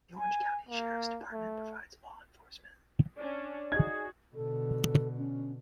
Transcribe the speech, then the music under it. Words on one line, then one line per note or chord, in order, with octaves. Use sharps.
The Orange County Sheriff's Department provides law enforcement.
G#5
A#3
A3
C#4 D4 D5
D#4 F#4 G#4 G#6
B2 D3 A4
C#4